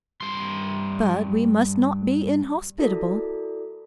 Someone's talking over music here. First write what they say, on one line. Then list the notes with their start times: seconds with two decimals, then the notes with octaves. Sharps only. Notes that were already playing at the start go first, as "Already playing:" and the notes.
But we must not be inhospitable.
0.21 G2 C6
2.78 E4 F#4 A4 A#4 D5